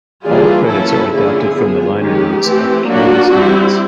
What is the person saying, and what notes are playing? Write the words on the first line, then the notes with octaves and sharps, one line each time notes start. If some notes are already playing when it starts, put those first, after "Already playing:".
All credits are adapted from the liner notes of "Careless Hands".
E3 G3 A#3 D4 F4 G#4
F#3 A#3 C#4 E4 A4
D3 F3 A#3 C#4 E4 G#4
F3 G#3 B3
D#3 G#3 C#4 G4
E3 A3 C4
F#3 A#3 D4 F4 F#4
G3 C4 E4